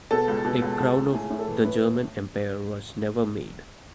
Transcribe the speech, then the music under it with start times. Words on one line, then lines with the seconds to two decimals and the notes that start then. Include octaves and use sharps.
A Crown of the German Empire was never made.
0.11 B2 A4
0.28 C#2
0.45 B2
0.62 C#2
0.79 C#2
0.96 C#2
1.13 A2 G#4
1.30 A2
1.39 A4
1.48 E3
1.64 A2 B4